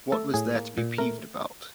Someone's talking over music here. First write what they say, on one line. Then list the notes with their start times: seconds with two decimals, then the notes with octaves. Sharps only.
What was there to be peeved about?
0.12 A3 A4
0.34 A2 G#4
0.55 A#3
0.78 A#2
0.98 A3 A#4